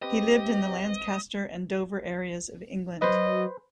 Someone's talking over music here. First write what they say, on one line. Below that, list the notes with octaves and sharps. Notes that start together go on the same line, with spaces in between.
He lived in the Lancaster and Dover areas of England.
C4 G4 B4 C5 D#5
F#3 B4 C5 D#5